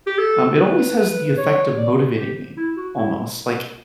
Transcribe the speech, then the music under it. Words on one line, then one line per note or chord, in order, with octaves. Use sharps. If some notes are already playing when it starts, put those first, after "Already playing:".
um, it always has the effect of motivating me almost. Like,
G4
A4
B4
B4
C#5
D5
G4
E4
F#4
E4